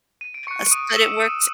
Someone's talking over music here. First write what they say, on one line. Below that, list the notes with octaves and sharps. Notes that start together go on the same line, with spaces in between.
uh, s but it works
D#7
D7
C#6 F#6 C#7
D#6 D#7
E6 E7
D#6 D#7